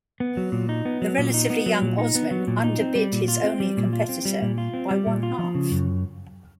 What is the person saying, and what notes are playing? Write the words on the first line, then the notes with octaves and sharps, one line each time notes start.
The relatively young Osman underbid his only competitor by one-half.
B3
F#3
A#2
D#4
B3
F#3
A#2
D#4
B3
F#3
A#2
D#4
B3
F#3
A#2
D#4
C4
G3
A#2
F4
C4
G3
A#2
F4
C4
G3
A#2
F4
C4
G3
A#2
F4
F3
C#3
F#2